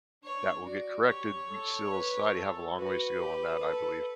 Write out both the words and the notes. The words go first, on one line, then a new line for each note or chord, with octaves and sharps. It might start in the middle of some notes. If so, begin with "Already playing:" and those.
that will get corrected. We still society have a long ways to go on that, I believe.
D4 C#5
F#4 D5
G4 C#5
A4
B4
A4
F#4 B4
G4
A4